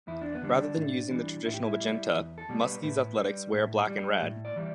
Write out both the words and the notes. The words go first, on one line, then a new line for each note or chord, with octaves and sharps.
Rather than using the traditional magenta, Muskies athletics wear black and red.
E2 E4
D4
B3
D3 G3
D4
A2
E3 G3
A2 E4
G4
E4
G3
E2
A4
B2 G3
B4
A2 B4
G3
A2
G3
A2
D5
E3 G3